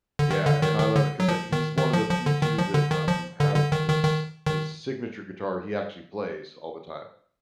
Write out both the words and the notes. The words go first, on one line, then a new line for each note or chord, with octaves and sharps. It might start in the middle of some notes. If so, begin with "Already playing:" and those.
Yeah, and I love it 'cause it he's one of the few too that, um, ha his his signature guitar, he actually plays all the time.
D3
D#3
D3
D#3
D#3
D3
F#3
F3
D#3
D#3
F3
F3
D3
D#3
F3
D3
D#3
F3
D3
D3
D#3
D#3
D#3
D#3